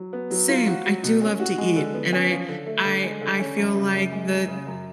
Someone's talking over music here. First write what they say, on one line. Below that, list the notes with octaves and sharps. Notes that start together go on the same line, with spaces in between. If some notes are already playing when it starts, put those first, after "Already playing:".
Same. I do love to eat, and I I I feel like the
Already playing: F#3
B3
F#3
F4
F#4
F#3
B2
C#4
F#4
G#3
D3
B3
C#4
F3
D3
A3
D3
G#3
D3
C#4
F#2
C#3
F#2
G#3
F#2
C#3
F#2